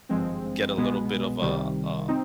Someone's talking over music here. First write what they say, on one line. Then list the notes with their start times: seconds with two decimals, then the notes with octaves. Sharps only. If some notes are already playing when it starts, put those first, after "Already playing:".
get a little bit of, uh uh
0.09 G#1 G2 F3 G#3 C4
0.76 C2 B2 G#3 B3
1.42 C2 C3 D#3 G3
2.08 C4 D#4